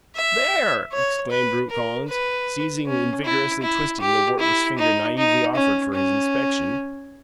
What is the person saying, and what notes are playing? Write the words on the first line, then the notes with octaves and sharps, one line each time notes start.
"There!" exclaimed Rupe Collins, seizing and vigorously twisting the wartless finger naively offered for his inspection.
E5
C#5
B4
A#4
B4
C#4
E4
E4
G4
E4
D#4
D#4
C#4
C#4